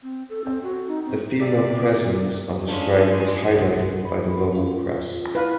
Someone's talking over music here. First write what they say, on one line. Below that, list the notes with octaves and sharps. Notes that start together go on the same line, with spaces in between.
The female presence on the strike was highlighted by the local press.
C4
A4
C4
F#4
D#4
C4
C3 D5 B6
G2 F3 G#3 A3 C#4 D4
C2
B5
C#4 F4
E4 B4 F5